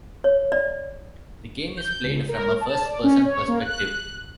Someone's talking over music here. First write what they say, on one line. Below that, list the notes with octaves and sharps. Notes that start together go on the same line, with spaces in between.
The game is played from a first-person perspective.
C#5
D5
G6
C#2
A#4
A5
D5
C#4
C#5
A#3
F#6